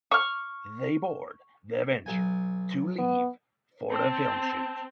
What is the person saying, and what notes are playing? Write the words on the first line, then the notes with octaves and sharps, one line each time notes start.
They board the Venture to leave for the film shoot.
C#6 F6
B1 G#5
B3
C4 A5